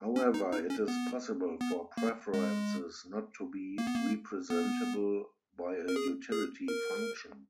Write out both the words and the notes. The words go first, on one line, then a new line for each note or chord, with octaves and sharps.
However, it is possible for preferences not to be representable by a utility function.
C#4
D#4
D#4
C#4
B3
B3
A#3
G#3
A#3
B3
A#3
B3
A#4
G#4
G#4
A#4